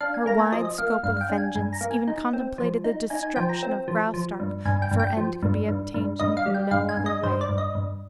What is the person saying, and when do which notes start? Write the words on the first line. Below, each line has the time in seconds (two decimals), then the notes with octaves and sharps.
Her wide scope of vengeance even contemplated the destruction of Graustark if her end could be obtained in no other way.
0.01 D4 F5
0.14 G#5
0.26 A#3 A#5
0.39 G#5
0.52 F3 D#5
0.65 D#5
0.78 A#3 F5
0.90 F5
1.03 G2 F5
1.17 F5
1.21 G5
1.29 D4
1.38 G#5
1.55 G2 G#5
1.73 A#5
1.81 A#3
1.91 G#5
2.08 D#4
2.33 C4
2.58 F3
2.84 D#4
3.10 D#4 G#5
3.23 G#5
3.36 F3 G5
3.49 A#5
3.63 C4
3.88 F3
4.14 F3
4.40 G2
4.65 G2 G#5
4.82 G5
4.91 G2
5.00 G5
5.17 F3
5.42 G2
5.69 G2
5.94 G2
6.19 G2 D#5
6.37 F5
6.46 G3
6.54 G5
6.71 G2 F5
6.89 G#5
6.97 G2
7.06 D#5
7.23 G2 C5
7.41 D5
7.49 G2
7.58 D#5
7.75 G2